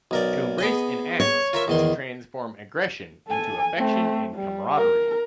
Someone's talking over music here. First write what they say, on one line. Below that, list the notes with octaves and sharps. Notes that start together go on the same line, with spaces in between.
To embrace an axe is to transform aggression into affection and camaraderie.
B1 A#4 D5
B3 G#4 D#5
C#5
F4 A#4 E5
E2 D#3 C6
A4 G#5
A3 C4
G3
A#4